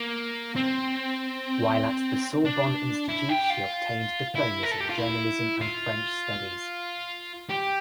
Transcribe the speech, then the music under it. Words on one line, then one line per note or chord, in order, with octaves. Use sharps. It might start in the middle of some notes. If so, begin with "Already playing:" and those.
While at the Sorbonne institute she obtained diplomas in journalism and French studies.
Already playing: A#3
C4
D4
E4
G4
F4
E4
A#4
A4
G4
F4
E4
F4
G4